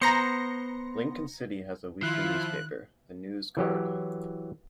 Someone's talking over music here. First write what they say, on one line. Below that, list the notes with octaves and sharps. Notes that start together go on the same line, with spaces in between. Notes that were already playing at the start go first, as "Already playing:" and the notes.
Lincoln City has a weekly newspaper, "The News Guard".
B3 C5 A#5 A#6 C#7
D#3 F3 E4 F4 F#6
E3 F#3 G4